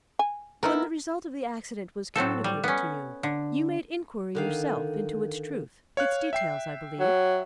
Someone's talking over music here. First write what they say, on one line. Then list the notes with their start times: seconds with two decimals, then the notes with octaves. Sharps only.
"When the result of the accident was communicated to you, you made inquiry yourself into its truth, its details, I believe?"
0.19 G#5
0.63 B3 D#4 E4 A#4
2.15 A2 F#3 C4 A4
2.44 G3
2.64 B3 C#4
3.23 D3
4.35 D3 D#3 F5
5.97 C#5 F5 F#6
6.33 E5 G5 C7
7.00 F#3